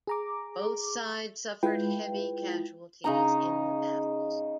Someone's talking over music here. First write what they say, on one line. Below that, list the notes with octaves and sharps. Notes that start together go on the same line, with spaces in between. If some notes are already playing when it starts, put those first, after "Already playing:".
Both sides suffered heavy casualties in the battles.
G#4 A#5 D6
G#3 E4 F4 B4 G5
C#3 D#4 A#5